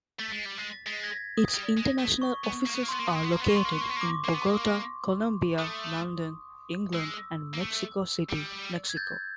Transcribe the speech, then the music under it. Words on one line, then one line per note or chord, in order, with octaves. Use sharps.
Its international offices are located in Bogota, Colombia, London, England and Mexico City, Mexico.
A3 A6 B6
G#3
G3
G#3
G#3 A6 B6
G#6 A#6
D#6
G3
G#3
A3
C#6
B3
A#3
B3
A#3
B3 C6
A#3
B3
A#3
B3
A#3
B3
A#3 C#6
B3 C6
A#3
B3
A#3 C#6
B3
A#3
D6
A#3
B3
A#3
A3 D#6
G#3 E6
A#3
A3
G3
G#6
G6 A6